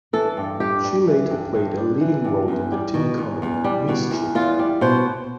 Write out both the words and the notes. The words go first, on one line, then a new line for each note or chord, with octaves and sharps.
She later played a leading role in the teen comedy "Mischief".
E3 A4
G2
G2 G4
G3
E3
G2
G2
G3
E3
G2
E2
G3
B2
E2
E2
G3
B2
E2
E2 F4
G3
B2 C5